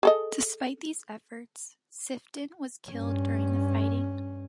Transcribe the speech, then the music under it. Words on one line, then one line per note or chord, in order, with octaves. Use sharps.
Despite these efforts, Sifton was killed during the fighting.
G#4 A4 D#5
G2 C#4